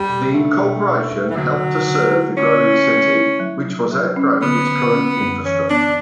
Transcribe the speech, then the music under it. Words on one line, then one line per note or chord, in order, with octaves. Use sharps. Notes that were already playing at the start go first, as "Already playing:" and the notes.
The incorporation helped to serve the growing city, which was outgrowing its current infrastructure.
Already playing: E2 G3
B2
A3 D4
B2
B2
E2
E3
D3 F#3
D3
D3
E4
D3 C#4
E4
A3
E4
F#3
F#3
F#3
C#4
D3 B3
D3
C#4
F#2
E3 C#4
B3 D4